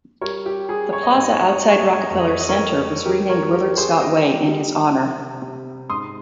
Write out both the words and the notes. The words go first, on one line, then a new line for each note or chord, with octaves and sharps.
The plaza outside Rockefeller Center was renamed Willard Scott Way in his honor.
G3 A#4 C#5
G4
G3 G#4
C#5
D#5
G#2 C#5
D#5
C#5
D#5
C#5
G3 D#5
C#5
D#5
C#5
D#5
F2 C#5
D#5
C#5
D#5
A#4 C#5
F2
G3 G4 A#4
A#4 C#5
G3 G4 A#4
G#4 C5
G3 D#5 G5
G3
C3
C3
G#2 C6 D#6